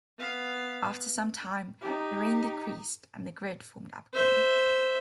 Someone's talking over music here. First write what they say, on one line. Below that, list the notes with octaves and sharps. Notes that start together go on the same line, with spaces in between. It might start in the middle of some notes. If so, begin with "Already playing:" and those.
After some time the rain decreased and the grid formed up again.
B3 F5
D#4 G4
C5 E5